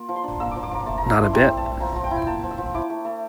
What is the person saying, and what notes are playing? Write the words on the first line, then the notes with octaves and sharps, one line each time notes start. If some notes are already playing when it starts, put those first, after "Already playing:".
Not a bit.
Already playing: A#3 F4
F3
C6
D4
A#3 E6
F3 D6
D6
F3 A#5
A3 A5
A3 A#5
E4 C6
C4 A#5
A3
A5
A3
F3 A#5
F3 A#5
G5
E4
G5
A#3 A5
F3
E6
F3
E4 D6
A3
A3